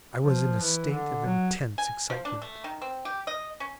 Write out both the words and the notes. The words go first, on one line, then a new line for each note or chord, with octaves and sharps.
I was in a state of intense excitement.
F3
E3
D3
F#3
G#5
F3
D4
A3
D#3
C4
G4
D#5
C#4